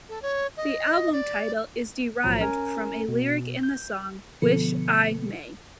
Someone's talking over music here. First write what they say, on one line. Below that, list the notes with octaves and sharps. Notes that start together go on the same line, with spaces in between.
The album title is derived from a lyric in the song, "Wish I May".
A4
C#5
D#5
D5
B1 A2 F3 F#3 A#5
C#4 A#4 G#5 A#5
B2
G6
B2 D3 F3 B3 A4 C#7